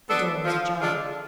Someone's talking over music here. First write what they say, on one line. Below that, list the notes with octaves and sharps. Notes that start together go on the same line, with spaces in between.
The door was ajar.
B3 D4 A4
F3
G#3 D4 F4 A4